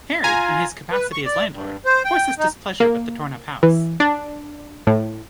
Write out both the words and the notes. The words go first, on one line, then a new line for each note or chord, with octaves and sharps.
Harry, in his capacity as landlord, voices displeasure with the torn up house.
F4 G#5 A#5
B4
C#6
D5
G2
C5
G5
D#4
A#3
E3
D4
A2